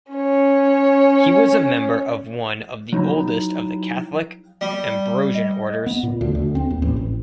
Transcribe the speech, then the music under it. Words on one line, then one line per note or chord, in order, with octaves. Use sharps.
He was a member of one of the oldest of the Catholic Ambrosian orders.
C#4 C#5
F#3 D#4 E4 A#5
G3
D#5
B3
A#2
D2
D2
C4
D#2
A1
A1